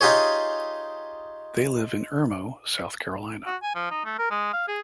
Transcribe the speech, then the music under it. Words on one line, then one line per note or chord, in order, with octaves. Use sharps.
They live in Irmo, South Carolina.
D#4 F4 G4 G#4 C#5
F#4
G#5
F3
D#4
A3
A#4
G#3
F5
G#4